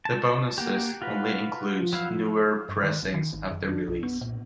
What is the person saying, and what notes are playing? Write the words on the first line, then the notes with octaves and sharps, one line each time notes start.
The bonus disc only includes newer pressings of the release.
A5
A#3 F#4 G4
F4 F#4 B4
F3
F#3 E4 F5
G2
D#3
E1
D#3
G#1
F#2
D4
B1
B3
A#2